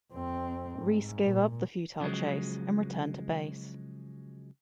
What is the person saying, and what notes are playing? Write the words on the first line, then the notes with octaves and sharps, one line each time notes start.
Rees gave up the futile chase, and returned to base.
F2 C4
G#2
A#2
C#3 F3 F#3 G#3